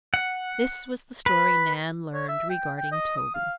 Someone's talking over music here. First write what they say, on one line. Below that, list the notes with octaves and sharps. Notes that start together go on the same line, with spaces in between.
This was the story Nan learned regarding Toby.
F#5
B4
C#5
E5
G5
G5
D#5
D#6
F5